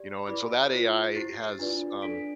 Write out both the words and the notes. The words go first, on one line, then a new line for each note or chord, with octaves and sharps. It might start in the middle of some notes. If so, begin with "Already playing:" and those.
you know? And so, that AI has, um
Already playing: G4 D5
E4 G4 B4 D5 B5 D6
F4 C5
E4 G4 C5 A6 C7
D4 F4 B4 D5
D4 A4 D5 B6 D7